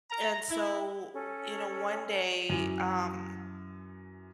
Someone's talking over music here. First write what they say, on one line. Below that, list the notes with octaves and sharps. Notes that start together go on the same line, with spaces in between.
and so, you know, one day, um,
A#5
E4
C#4 A4
F#2 E3